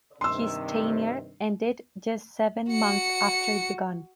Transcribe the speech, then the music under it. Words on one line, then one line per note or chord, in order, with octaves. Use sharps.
His tenure ended just seven months after it began.
G2 C3 D#3 C6 E6
F#4 C#7